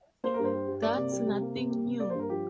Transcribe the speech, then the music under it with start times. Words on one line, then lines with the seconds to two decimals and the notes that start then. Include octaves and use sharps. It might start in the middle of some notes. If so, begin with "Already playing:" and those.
That's nothing new.
0.24 A#3 C5
0.34 G2 A#4
0.44 C5
0.53 G3
0.68 G2
0.82 A#3 D5
0.97 C3
1.12 G3
1.26 C3
1.41 A#3
1.56 C3
1.71 G3
1.85 C3
2.00 A#3 D5
2.10 C5
2.14 G2
2.19 A#4
2.29 F3 G4